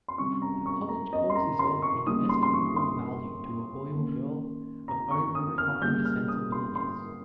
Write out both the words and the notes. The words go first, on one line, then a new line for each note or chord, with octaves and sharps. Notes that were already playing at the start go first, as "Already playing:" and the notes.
A college course is of inestimable value to a boy or girl of over-refined sensibilities.
C6
C3 G3 C#4 C#6
A#5
C#6
A#5
D#5
C6
A#5
C6
C#6
C#3 G3 A#3 D#4 D#6
C6
C6
C#6
C6
D#3 A#3 C#4
A#5
C#6
D#6
F6
C#3 G3 A#3 G6
F6
D#6
C6
C6